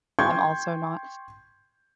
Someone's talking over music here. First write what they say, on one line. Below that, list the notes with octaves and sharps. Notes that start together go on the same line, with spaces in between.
I'm also not,
G5 C6 C#6 G6 G#6